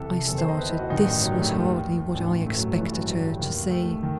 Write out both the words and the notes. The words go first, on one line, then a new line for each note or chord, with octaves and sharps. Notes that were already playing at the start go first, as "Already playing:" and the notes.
I started; this was hardly what I expected her to say.
Already playing: C2 C3 E3 G4 A4
F#1 E2 D#3 A4
C5
D#5
B4
E4
F#4
A1 G2 D#3 D#4
G3
F#3
G3
A3
D#2 D#3
A1 G2 E3
A3
F#3
A1 G2 E3 A3
G3
F#3
G3
D#2 D#3
A3
D#3